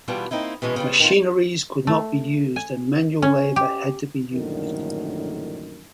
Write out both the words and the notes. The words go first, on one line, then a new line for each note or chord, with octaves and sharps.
Machineries could not be used and manual labor had to be used.
B2 E3 G3 B3 D4 F4
A#3 C4 D#4 E4
B2 E3 G#3 C#4
C#3 G3 F4
D#3 F4
A3
G#5
C#4
G4
A#1 F#2 A2 D3 D#3